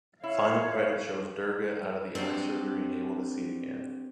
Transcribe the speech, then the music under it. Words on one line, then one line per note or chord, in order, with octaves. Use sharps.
Final credit shows Durga out of the eye surgery and able to see again.
E4 C#5 F5
C4 D4 F#4 G4